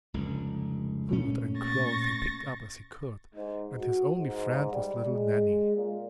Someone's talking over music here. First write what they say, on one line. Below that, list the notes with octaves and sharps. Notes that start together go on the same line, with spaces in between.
Food and clothes he picked up as he could; and his only friend was little Nanny.
F1 C#2 D3
A#2 A3 C#4
C#6 A6 A#6
G#2
F#4
G#2
G3
G#3
A#2